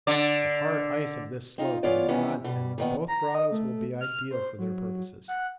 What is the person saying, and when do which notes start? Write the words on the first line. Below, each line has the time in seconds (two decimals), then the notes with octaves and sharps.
The hard ice of this slope is a godsend and both grottoes will be ideal for their purposes.
0.07 D3 D5
1.58 C4 D#4 F4
1.83 E3 B3 F4 C#5 D5
2.08 D#3 E3 G3 B3 C#4
2.44 B2 G3
2.78 A#2 D#3 B3
3.08 A#5
3.35 D#5
3.51 A3
4.01 F6
4.31 C5
4.59 F#3
5.28 F#5